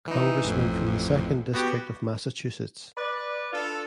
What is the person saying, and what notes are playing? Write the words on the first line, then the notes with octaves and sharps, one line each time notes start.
Congressman from the Second District of Massachusetts.
E3 D#4
A1 F2
B3 F#4 G4
B4 D5
D4 F4 A4